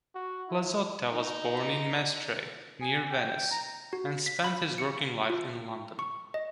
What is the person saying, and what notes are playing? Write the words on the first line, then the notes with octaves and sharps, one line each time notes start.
Plazzotta was born in Mestre, near Venice, and spent his working life in London.
F#4
E4
D#4
G#5
G5
A#5
F#4
B6
B5
C#7
F4
C#6
D#5